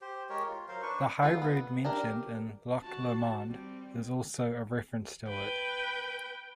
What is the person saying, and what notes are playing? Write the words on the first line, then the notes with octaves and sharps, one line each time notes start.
The High Road mentioned in "Loch Lomond" is also a reference to it.
G4 C5
G#3 G4 A#4 C#5
F4
F#3 A#4 C5 F5
D4 B4 C#6
B3 F4 A4
B3
D4 G4 A#4
F#4 A5
G3 C4
B4 G5